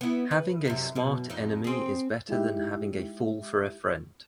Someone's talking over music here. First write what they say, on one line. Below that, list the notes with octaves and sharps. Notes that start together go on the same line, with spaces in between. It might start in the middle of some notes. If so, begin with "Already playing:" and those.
Having a smart enemy is better than having a fool for a friend.
B3 E4
B4
F#2 C3 D#4
F#2 B2
F2 D#4
C4 G#4
G#3 D#4 E4 G4 E5